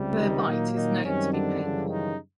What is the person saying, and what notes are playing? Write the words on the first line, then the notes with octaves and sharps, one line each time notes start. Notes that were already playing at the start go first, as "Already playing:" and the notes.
Their bite is known to be painful.
Already playing: C#2 C3 G3
D#3 D#4
A#2 F#3 A#3
D#3 D#4
F#2 D#3 G3 C4 C#4
D3 D4
F#2 C#3 E3 G3
D#3 D#4